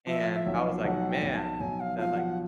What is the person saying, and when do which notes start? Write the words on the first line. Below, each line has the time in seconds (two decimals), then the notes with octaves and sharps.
And I was like, "Man," that, like,
0.07 F3 E5
0.33 E5
0.46 B1
0.58 F5
0.84 B1 F#5
1.10 G5
1.22 B1
1.35 A5
1.60 B1 G#5
1.80 F5
1.99 F3 F5
2.18 F#5